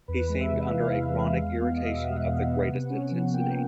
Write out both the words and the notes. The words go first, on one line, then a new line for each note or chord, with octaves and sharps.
He seemed under a chronic irritation of the greatest intensity.
E2 B4
G#3
E5
C3
E3 F5
E2
G#3
E2
B3
D#5
B2 E5
F5
G#3 F#5
E2
B3
C3
C#4
F3
A#3 G5